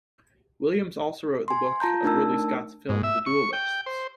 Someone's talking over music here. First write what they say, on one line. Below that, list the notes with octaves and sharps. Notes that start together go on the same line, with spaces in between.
Williams also wrote the book of Ridley Scott's film "The Duellists".
G#5 C6
F4 A5 A#5 G6
A3 D4 D#4 A#4 A5 E6
G#2
E5
C#6
G5
C5